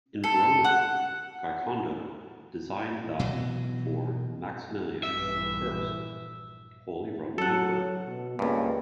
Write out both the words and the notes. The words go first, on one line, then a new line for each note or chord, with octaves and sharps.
In Verona, Giocondo designed the for Maximilian the First, Holy Roman Emperor.
A4
F#5
B2 E3 F#3
A#1 G2 E3 E5
F#3 A4 F#5
B2
C#2 G2 A#3